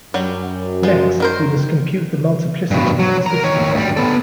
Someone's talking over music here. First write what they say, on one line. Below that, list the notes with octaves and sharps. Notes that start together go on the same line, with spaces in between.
Next, we must compute the multiplicity of the system.
F#2 F#3 G3
F3 G#3
D#3 A#4 C5
G2 B2
F#3
A#4 A#5
D#3 C#5
D2 G3
B3 A4